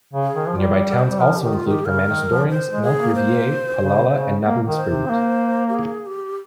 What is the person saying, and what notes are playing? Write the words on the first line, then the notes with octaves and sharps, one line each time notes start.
Nearby towns also include Hermanusdorings, Melkrivier, Palala and Naboomspruit.
C#3
G#4
D#3
F3
G3 F4
G4
A#4
C5
G3
F3 A#4
G4
D#3
F4
D#3
G4
C#3 A#4
D#3
F3
C5
G#3
G#4
A#3
C5
C#3
C#3
A#3
D#3 A#4
C5
C3
C4
A#3
G4
G#4
G4